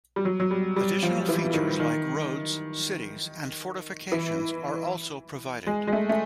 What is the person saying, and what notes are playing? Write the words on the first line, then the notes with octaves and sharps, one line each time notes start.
Additional features like roads, cities, and fortifications are also provided.
G3
F#3
F#3
G3
G3
F3
E3
D#3
D#3
E3
G#3
G#3
A3
A3